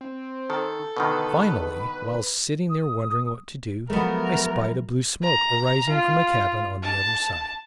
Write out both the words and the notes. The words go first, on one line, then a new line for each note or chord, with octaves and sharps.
Finally, while sitting there wondering what to do, I spied a blue smoke arising from a cabin on the other side.
C4
D#3 A4
B2 D3 D#3 B4
D#6
F3 F#3 G#3 A3 B3 A#4
A#5
F4
A5